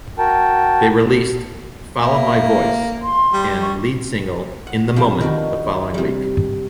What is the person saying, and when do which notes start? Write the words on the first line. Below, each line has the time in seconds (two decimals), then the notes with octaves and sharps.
They released "Follow My Voice" and lead single "In the Moment" the following week.
0.18 F#4 A#4 G5 A5
2.02 A#3 E5
3.02 C6
3.33 G3
3.62 C#6
4.67 F#5
4.96 C3 F3 G4 G5
5.20 D#3 D4 F#4
5.94 C3 G3